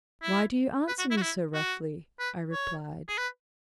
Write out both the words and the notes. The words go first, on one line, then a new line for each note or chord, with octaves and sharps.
"Why do you answer me so roughly?" I replied.
E4
B4
F#4
E4
F#4
E4
F#4
B4
C#5
G#4
B4